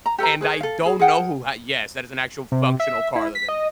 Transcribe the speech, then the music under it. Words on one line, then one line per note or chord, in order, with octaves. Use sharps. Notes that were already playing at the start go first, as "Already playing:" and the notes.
and I don't know who h Yes, that is an actual functional car that they made.
A#5
G4 A4 B4 A#5
G#4 B4 C#5
A4 F5
G#4 B5
G#4 A#4 F#5 G5
C3
E5
E4
B6
D#5